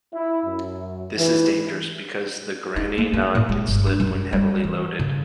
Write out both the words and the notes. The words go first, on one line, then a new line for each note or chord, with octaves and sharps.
This is dangerous because the granny knot can slip when heavily loaded.
E4
F#2
E3
D#4
A#3
A#3
A2
G#3
G1
D4
F#2
G3
E3
C#3